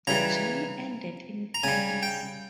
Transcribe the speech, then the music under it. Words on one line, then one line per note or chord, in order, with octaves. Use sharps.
The journey ended in Paris.
C#3 E3 G3 A#5
A#5
C#3 G3 G#5
G5